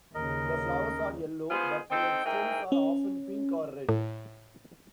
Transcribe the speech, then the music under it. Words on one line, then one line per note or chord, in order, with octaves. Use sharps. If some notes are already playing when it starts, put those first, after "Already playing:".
The flowers are yellow, but their stems are often pink or red.
D#2 C#3 A#4 D#5
B3 F4 G#4 C5
C4 D#4 A4 G5
G#2 E4 G#4 A#4 G5
C#4
A2